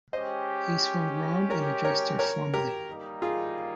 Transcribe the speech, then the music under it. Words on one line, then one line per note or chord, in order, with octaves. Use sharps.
He swung round and addressed her formally.
G#3 C#4 G4 C5 D#5
A#4 C#5
A#4 C#5
A#4 C#5
G4 A#4
G3 A#3 D#4
F4 G#4